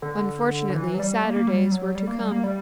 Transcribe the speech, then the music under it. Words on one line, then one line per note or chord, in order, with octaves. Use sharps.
Unfortunately sadder days were to come.
D3
D3
E3
F#3
G3
A#3
A#3
G3
F#3
G3
A#3
G3
A#3
G3